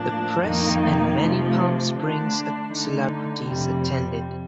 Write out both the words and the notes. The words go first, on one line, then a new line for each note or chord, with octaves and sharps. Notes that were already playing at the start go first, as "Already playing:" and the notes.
The press and many Palm Springs celebrities attended.
Already playing: A2 F3 A#3 D4
F2 D#3 A#3 D#4
C3 F3 A3
D3 A3 D4
D3 A3 D#4
F2 C3 G3